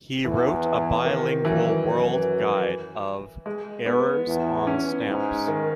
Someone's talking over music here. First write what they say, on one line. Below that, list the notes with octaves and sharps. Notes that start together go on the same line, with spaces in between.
He wrote a bilingual world guide of "Errors on stamps".
E2 E3
D#3
F#2 E3
F#2
G#3
B3
E2
C#4
G#2
D#3